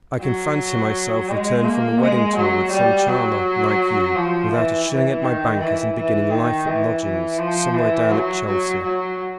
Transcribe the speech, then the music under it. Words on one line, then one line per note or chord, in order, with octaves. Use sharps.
I can fancy myself returned from a wedding tour with some charmer, like you, without a shilling at my banker's, and beginning life at lodgings, somewhere down at Chelsea.
F#3
G#3
A#3
G#3
F#3
G3
F#3
F3
E3
E3
D#3
E3
E3
D#3
E3
E3
F3
E3
F#3
F#3
F#3